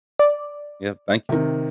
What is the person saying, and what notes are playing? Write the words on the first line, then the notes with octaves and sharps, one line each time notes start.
Yeah, thank you.
D5
C3 D#3